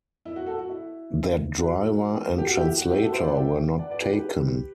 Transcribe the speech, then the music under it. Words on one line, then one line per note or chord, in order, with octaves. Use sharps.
Their driver and translator were not taken.
E4
F#4
F#4 A4
F#4
E4
F#4
G4
F#4
E4 G4
F#4
E4 G4
F#4 A4
C5 E5
D5 F#5
E5 G5
D5 F#5
B4 D5
G4 B4
G4 B4